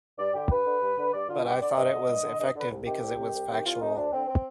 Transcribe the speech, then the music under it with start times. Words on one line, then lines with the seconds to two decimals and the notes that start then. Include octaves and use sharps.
But I thought it was effective because it was factual.
0.19 G2 D5
0.34 D3 G4
0.50 G2 B4
0.66 D3
0.81 G2
0.98 D3
1.13 G2 D5
1.29 D3 F4
1.45 G2 G4
1.61 D3 D5
1.76 G2 D#5
1.92 D3
2.08 G2
2.23 D3
2.39 G2 D#5
2.55 D3 B4
2.71 C2
2.86 C3 D#3 G4
3.02 C2
3.18 C3 D#3
3.34 C2
3.49 C3 D#3
3.64 C2 F4
3.81 C3 D#3 D#4
3.96 D2 D4
4.12 D3 C4
4.28 C4